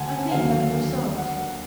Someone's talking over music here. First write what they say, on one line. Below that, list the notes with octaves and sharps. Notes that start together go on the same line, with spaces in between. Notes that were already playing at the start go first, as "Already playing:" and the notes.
I think I foresaw it.
Already playing: D2 F#5 G#5 A5
D#2 D3 F#3 F5
F#5